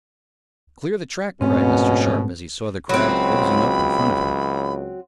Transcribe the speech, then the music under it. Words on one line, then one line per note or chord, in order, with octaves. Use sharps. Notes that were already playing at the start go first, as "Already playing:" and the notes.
"Clear the track!" cried Mr. Sharp, as he saw the crowd closing up in front of him.
A#1 G#2 B2 A3 C4 C#4
C#2 F#3 C4 B5